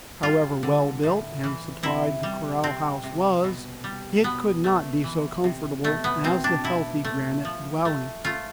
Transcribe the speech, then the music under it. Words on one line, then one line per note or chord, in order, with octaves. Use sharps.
However well built and supplied the corral house was, it could not be so comfortable as the healthy granite dwelling.
G3 F4
D3
A2
E3
C3 E4
G3
C3 C4
C3
B2
G3
B2 B3
A3
E3
C3
B2 A3
B3
B2 C4
D4
B2 E4
A3
F3
A3
A3 F4